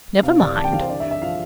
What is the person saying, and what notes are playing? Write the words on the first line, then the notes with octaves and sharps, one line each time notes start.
Never mind.'
C3 F5
C2 D5
E3 A5
G5
C2 F5
C5
D3 D5
E5
G2
E5
F3 F5